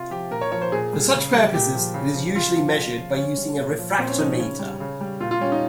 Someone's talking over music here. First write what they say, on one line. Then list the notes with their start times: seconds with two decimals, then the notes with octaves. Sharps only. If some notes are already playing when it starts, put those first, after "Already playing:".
For such purposes, it is usually measured by using a refractometer.
Already playing: C3 F4
0.10 F3 G4
0.31 A#2 A#4
0.41 C#5
0.52 F3 C#5
0.62 C5
0.72 A#2 G#4
0.93 G3
1.13 C#3
1.34 G3
1.54 A#2 G4
1.75 F3
1.94 C#3
2.14 F3
2.36 C#3 F4
2.56 F3
2.77 C#3
2.97 F3
3.16 C#3 C#4
3.37 G3
3.58 A#2
3.79 F3
3.98 A#2 C4
4.08 C#4
4.18 F3 D#4
4.30 C#4
4.40 C#3 C#4
4.59 G3
4.80 C#3
5.01 G3
5.20 A#2 F4
5.31 F4
5.41 G3 C#4
5.52 D#4